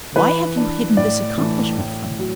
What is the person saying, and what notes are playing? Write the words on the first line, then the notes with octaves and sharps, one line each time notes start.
Why have you hidden this accomplishment from me?
E3 B4
D4
A2 D5
E3 A3
A2
F#3